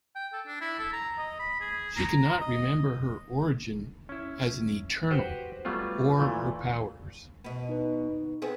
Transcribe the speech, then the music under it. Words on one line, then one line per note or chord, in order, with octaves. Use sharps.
She cannot remember her origin as an Eternal, or her powers.
G5
A4
D4
E4
A4
A#5
D#5
B5
G#4
A#5
D#5
C#4 E4
F#4 G4 B4 C5 G5
F#3 G3 A3 B3 F4
A#2 E3 A3
B2 B3
D#4 B4
B3 C4 G#4